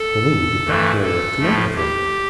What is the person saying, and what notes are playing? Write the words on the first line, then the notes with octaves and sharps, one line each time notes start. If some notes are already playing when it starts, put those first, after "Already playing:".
Toline did not know what to make of him.
Already playing: A4
G2 E3 A3
A4
A2 F3 A3
G4